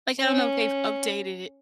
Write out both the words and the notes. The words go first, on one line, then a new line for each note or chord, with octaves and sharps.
Like, I don't know if they've updated it
C#4